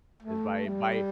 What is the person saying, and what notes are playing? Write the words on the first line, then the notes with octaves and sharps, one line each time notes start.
is by by
A3
G3